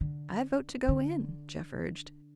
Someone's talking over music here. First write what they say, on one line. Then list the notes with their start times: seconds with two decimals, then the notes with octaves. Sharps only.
"I vote to go in," Jeff urged.
0.01 D3
0.89 D3